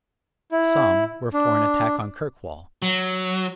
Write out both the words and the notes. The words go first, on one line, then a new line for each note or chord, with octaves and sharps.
Some were for an attack on Kirkwall.
E4
D4
F#3